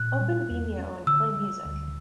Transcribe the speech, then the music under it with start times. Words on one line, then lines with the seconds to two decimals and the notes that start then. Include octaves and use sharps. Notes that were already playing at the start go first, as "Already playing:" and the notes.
Open Vimeo and play music.
Already playing: A#2 F#6
0.21 G3
0.50 E2
0.78 C#4
1.07 D3 E6
1.36 G3
1.65 D2